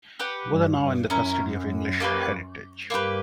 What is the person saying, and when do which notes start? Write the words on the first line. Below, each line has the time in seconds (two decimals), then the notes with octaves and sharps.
Both are now in the custody of English Heritage.
0.19 G4 B4 F#5
0.50 G2
0.80 G2
1.10 F#2 C#4 E4 A#4
2.00 A#3 C#4 G4 B4
2.90 G2 A#3 E4 G4 B4